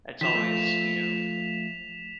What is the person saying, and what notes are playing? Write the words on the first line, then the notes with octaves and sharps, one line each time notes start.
it's always, you know,
D#3 F3 B6 E7 F7
F3 A3